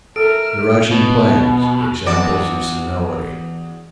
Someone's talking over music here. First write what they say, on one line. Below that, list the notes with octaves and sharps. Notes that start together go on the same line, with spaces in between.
The Russian Plains--Examples of 'senility.'
A4 A#4 E5 F6 D7
B2
E2 F#4 D5